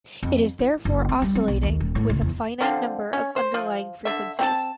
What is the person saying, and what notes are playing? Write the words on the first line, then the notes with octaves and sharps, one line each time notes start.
It is therefore oscillating, with a finite number of underlying frequencies.
F2
E4
F#1
C4
G3
C4
B1
D#2
D#1
A2
C#2
E2
D3 F3 C4
C#4
C5
F3
D3 E5
C4 F#5 A5